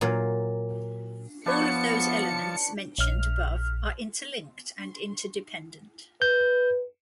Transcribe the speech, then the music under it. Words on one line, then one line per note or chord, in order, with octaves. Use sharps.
All of those elements mentioned above are interlinked and interdependent.
A#2 F#3 F5
F3 B3 D4 B4 C#5 A5 C#7
A#1 F6
B4 G6